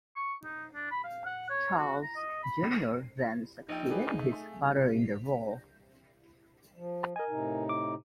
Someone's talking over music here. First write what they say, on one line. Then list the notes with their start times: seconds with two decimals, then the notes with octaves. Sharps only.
Charles Junior then succeeded his father in the role.
0.16 C#6
0.44 D#4
0.74 D4
0.91 B5
1.04 F5
1.26 F#5
1.50 C#5
1.78 F#4
2.03 A#5
2.16 D#5
2.43 B5
3.69 A#1 D#4 G5
3.90 G#4 B4 D5 G5
4.19 A3
6.76 F3
7.16 A#4 D#5 G#5
7.29 A2 C3 D#4
7.69 D6